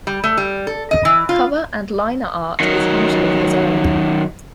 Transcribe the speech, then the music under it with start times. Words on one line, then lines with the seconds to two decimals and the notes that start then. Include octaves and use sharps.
Cover and liner art is usually his own.
0.07 G3
0.24 A3
0.37 G3
0.67 A4
0.91 D#5
1.05 E3
1.29 F4
2.60 D#3 F#3